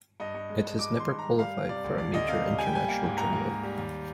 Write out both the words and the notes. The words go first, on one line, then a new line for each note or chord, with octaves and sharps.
It has never qualified for a major international tournament.
G2 D#5
G2
G#3
G2
G2 D6
D#3 C6
G2
A#5
G2
G3 F5
G3
C3 D5
D2
D2 D5
D2 D#5
C3 F5
G3
G3 G#5
G5
G3 G#5
A#3
G#2
G#2 A#5
A#3
G3
G3
D#2